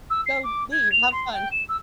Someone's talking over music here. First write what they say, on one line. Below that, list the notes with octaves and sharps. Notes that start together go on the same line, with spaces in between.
go, leave, have fun."
E6
C7
D6
G#6
F7
C6
G5
E7
E6